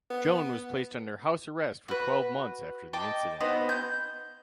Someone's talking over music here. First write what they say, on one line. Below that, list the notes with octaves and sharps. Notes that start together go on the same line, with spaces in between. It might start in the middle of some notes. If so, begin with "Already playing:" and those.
Joan was placed under house arrest for twelve months after the incident.
B3
F#4 B4
D#5 G5 A5 D6
B3 C4 D#4 F#4
G6